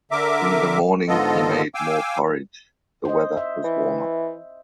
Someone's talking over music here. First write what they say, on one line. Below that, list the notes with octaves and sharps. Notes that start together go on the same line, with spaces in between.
In the morning he made more porridge; the weather was warmer.
D3 A#4 E5 D6
G#2 D3 B3 F4 A4 D#5
F5 G5 G#5 D6 E6
C5 D#5
E5
E3